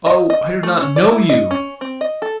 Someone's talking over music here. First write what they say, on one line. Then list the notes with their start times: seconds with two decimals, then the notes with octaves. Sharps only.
"Oh, I do not know you!"
0.06 D#5
0.30 D#5
0.63 A3
0.81 C#4
0.96 D5
1.11 E4
1.29 D#5
1.51 C#4
1.81 C4
2.01 D#5
2.22 A4